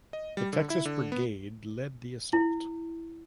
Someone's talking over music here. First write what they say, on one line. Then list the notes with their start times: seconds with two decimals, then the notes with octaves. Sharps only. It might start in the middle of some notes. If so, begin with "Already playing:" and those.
The Texas Brigade led the assault.
0.13 D#5
0.37 G3
0.53 D3
0.70 E4
0.85 D3
1.12 B3
2.33 E4